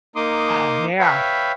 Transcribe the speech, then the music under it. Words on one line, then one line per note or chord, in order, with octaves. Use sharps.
Oh, yeah.
A#3 D#4 C6 D6 D#6
B4 C#5 E5 F5 G5 B5